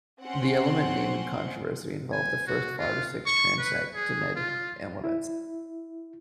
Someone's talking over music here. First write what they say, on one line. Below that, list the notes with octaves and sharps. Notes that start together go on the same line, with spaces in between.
The element naming controversy involved the first five or six transactinide elements.
C4 C#4 F#5 C6
G#5
F#4
F4
C#6
B4
G#4
F4
E4